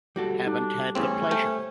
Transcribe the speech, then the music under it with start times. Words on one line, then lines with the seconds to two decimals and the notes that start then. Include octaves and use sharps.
Haven't had the pleasure.
0.16 G3 F#4 A4
0.46 D4 D#4
0.95 E2 C#3 A3 C4 C#4
1.31 A3 C5 G5